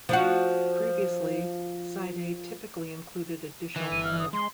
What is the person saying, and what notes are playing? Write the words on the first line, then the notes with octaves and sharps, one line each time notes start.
Previously, Side A typically included a dish antenna.
F3 D4 F#4
D#3 E3
G1 D#7
F6
D#6
G#3 C6